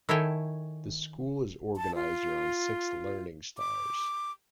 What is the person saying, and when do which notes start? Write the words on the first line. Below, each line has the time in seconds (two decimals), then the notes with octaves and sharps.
The school is organised around six Learning Stars.
0.09 D#3 E4 A4 C#5 G5 G#5
1.77 A5
1.95 F4
3.58 D6